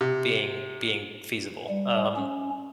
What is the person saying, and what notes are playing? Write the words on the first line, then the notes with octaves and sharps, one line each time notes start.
being being feasible, um,
C3
G3
C#4